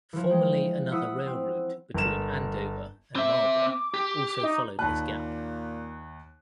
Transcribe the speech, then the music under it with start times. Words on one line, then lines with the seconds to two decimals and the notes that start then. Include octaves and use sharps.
Formerly another rail route between Andover and Marlborough also followed this gap.
0.13 E3 F3
0.30 G#3 G5
0.91 E4 F#5 D#6 E6
1.25 C4
1.94 G1 A#4 E7
3.16 C4 E5 D6
3.94 G4
4.43 D#4
4.79 D#2 A#2 A5 B5 F#6